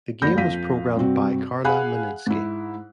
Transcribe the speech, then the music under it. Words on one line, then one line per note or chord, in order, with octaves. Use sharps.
The game was programmed by Carla Meninsky.
F#1 D2 D3 B5 G6 A#6
F2 F5 B6 D#7
G2 C3 C4 F#4
G#4 F5 F#5 G#5 B5 F#6
G#2 E4